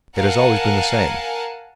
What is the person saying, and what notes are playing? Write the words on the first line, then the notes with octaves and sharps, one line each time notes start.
It has always been the same.
A#4 F5 F#5 G#5 A5